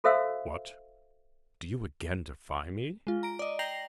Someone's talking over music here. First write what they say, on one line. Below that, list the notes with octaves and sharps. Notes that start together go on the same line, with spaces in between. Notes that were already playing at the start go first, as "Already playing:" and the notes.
"What? do you again defy me?"
F#4 A4 C5 E5 F5 E6
G#3 F4
A#5 D7
D5 D#5
G5 A#5 A#6 C7 F7 F#7